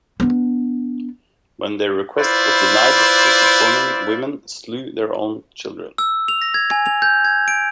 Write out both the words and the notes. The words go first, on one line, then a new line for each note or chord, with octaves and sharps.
When their request was denied, the Teutonic women slew their own children.
B3 D4
E4 F4 B4 C5 D5
E6
F7
A#6
G#6
G#5
F7
G6
G#6
D7